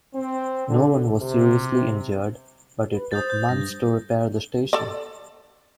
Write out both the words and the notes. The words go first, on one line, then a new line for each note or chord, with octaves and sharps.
No one was seriously injured, but it took months to repair the station.
C4
D3
C3
B4
C5 D#6 G6 A6
G6
G2 A#6
A4 D5